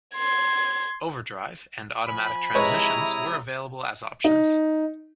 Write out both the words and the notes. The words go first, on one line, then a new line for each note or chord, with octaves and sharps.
Overdrive and automatic transmissions were available as options.
C6 G#6
F3 G#5 B5
C3 G#3 E4 B4 C#5 A#5 D#6
D#4